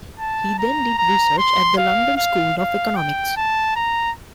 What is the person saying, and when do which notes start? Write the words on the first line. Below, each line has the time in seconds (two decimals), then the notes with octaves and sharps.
He then did research at the London School of Economics.
0.19 A5
0.59 A#5
0.98 A#5
1.38 C6
1.78 F5
2.17 F5
2.58 F5
2.96 G5
3.36 A5
3.76 A#5